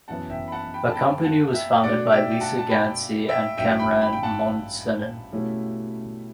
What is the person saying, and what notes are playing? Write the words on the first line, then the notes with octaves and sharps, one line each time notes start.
The company was founded by Lisa Gansky and Kamran Mohsenin.
F#2 E3 B3 F#5 A5
E5 G5
B5
F#5 A5
G5 B5
A5
G5 B5
F#5 A5
E5 G5
B2 A3 D4 F#4 D5 F#5
E5 G5
G5
F#5 A5
A5
G5 B5
E5 G5
A1 G2 F#3 E5 G5
G5 B5
G5 B5
G5
F#5 A5
B2 A3 C#4 E4 G4